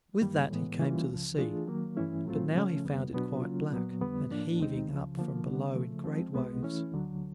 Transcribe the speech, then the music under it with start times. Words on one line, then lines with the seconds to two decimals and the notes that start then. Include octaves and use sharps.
With that he came to the sea, but now he found it quite black, and heaving up from below in great waves.
0.21 G2 D#3 G3 A#3
0.50 A2 E3 G#3 B3
0.80 E3 G3 A#3 C#4 F4
1.09 C#2 C#3 F3
1.38 E3 A3 D4 F4 G#4
1.67 D#3 F#3 A#3
1.97 G2 E3 A3 C#4 E4
2.25 A2 F#3 A3 C4 F4
2.55 C#3 F3 A3 C#4
2.84 F2 D3 G3 B3
3.13 B2 F#3 B3 D4 F#4
3.42 C#3 F#3 A#3 C#4 F4
3.72 A#2 F#3 B3
4.00 F2 D3 G3 B3
4.29 A2 F3 A#3 D4
4.59 D#2 D#3 G#3 C4 D#4
4.88 C#2 C#3 F3
5.17 D3 F3 A#3
5.46 D3 G3 B3
5.75 C#3 F3 A3
6.04 F3 G#3 C4
6.34 C2 B2 G#3 B3
6.63 E3 A3 C#4 E4
6.92 D2 D3 F#3